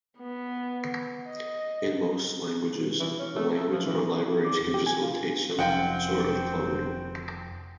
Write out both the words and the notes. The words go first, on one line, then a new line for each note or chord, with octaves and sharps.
In most languages, the language or libraries can facilitate some sort of cloning.
B3
D#5
E3
C#4
A3
A4
F3
E3
D6
D#2
G4
G#5
F4
F1 D#3 F3 G#3 C4 F4 F#5 G5